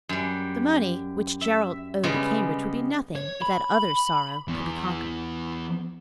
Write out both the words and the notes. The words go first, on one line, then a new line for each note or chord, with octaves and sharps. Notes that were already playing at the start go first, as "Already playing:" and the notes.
The money which Gerald owed at Cambridge would be nothing if that other sorrow could be conquered.
F#2 G3
E5
C#3 G3 G#3 B3 C#4
C#5
B5
E2